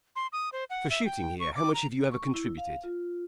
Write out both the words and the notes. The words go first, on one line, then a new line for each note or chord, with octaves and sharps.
"For shooting here, how much have you ever contributed?"
C6
D#6
C5
F#5
E5
G5
C#6
D6
A#5
C#6
E4
F5
F4